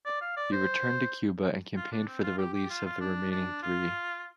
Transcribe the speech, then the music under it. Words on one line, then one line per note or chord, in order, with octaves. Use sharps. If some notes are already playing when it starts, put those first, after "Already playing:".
He returned to Cuba and campaigned for the release of the remaining three.
D5
F5
D5
C5
F4
D4
C4
F4
G4
G4
F4
F4
D4
D4
F4